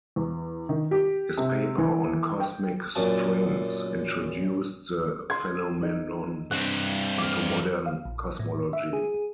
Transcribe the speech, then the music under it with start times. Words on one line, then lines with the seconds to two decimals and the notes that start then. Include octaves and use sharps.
His paper on cosmic strings introduced the phenomenon into modern cosmology.
0.16 E2
0.69 D#3
0.91 G4
1.38 C3
1.78 E3
2.40 G5
2.95 F#2 A#2 A5
5.30 C6 G#6
5.83 D#4
6.51 G2 C4 F#6
7.18 D6 F6
7.86 F5
8.05 A#1
8.39 A2
8.73 E5
8.93 G#4